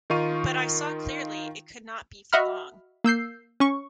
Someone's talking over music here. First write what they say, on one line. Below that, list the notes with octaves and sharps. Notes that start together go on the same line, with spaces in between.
But I saw clearly it could not be for long.
D#3 D#4 F4 F5 C#6 D#7
F#4 D#5 E5 F#5 B5 F6
A#3 E6 G6 C7
C#4 C#6